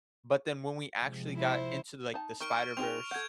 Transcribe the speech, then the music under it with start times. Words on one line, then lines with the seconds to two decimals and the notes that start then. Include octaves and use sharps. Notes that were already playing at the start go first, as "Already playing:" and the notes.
but then when we actually got into, like, the Spider-Verse,
0.99 C3 F3 G#3
1.36 E4 C5
2.14 D#4 A5
2.40 D#4 A#4 C#6 F6 D7
2.77 C4 D#4 G#4 F7
3.11 A4 F#5 G6 G#6